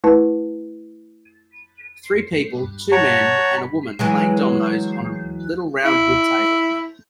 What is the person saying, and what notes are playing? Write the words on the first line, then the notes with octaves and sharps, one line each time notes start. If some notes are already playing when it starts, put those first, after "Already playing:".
Three people, two men and a woman playing dominoes on a little round wood table.
A3 E4 B4 A5
C#5 F#5 A5 A#5 C#6
E3 F#3 G#3
E4